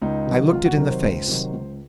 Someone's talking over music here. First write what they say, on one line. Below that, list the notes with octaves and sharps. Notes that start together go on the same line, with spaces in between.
I looked it in the face.
C#2 D#4
C3 D#3 F#3
C#2 F4
F#4
C3 D#3 F#3 A#4
C5
C#2
C3 D#3 F#3
C#2